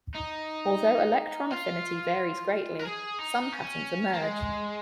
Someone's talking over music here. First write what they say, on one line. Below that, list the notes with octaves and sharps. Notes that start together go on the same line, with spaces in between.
Although electron affinity varies greatly, some patterns emerge.
D#4
F4
A#4
G#4
D#4
C#4
A#3
G#3